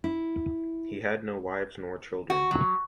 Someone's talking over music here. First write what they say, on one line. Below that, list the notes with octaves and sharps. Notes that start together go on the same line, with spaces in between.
He had no wives nor children.
E4
F#4
F#3